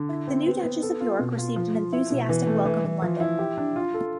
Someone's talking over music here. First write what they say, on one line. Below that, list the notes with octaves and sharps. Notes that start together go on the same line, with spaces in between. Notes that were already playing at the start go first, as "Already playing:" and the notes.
The new Duchess of York received an enthusiastic welcome in London.
Already playing: D3
E4
C4
B3
B3
A4
F4
B2
F4
F3
F4
E4
B2
E3
A3
E3
E3
F3
E4
G4
D4
F4
A4